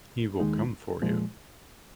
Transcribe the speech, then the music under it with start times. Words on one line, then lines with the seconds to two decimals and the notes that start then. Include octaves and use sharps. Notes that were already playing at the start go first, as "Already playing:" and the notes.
He will come for you.
0.40 D#2 D#3 G#3 D#4
1.02 A#2 F3 G#3